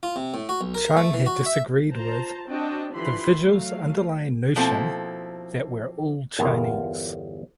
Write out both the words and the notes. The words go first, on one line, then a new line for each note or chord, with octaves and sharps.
Cheung had disagreed with "the vigil’s underlying notion that we’re all Chinese".
F4
C3
A2
F#4
B1
A#4
A3
E3
F#4
E5
F4 C5 A5 A#5
C4 D4 F#4 D#5 G5 A5
D3 E3 F3 G4 B5 C6
F#3 A3 F5
B2 F3 A#3 C4 E4 A4
G1 E2 F4 A#4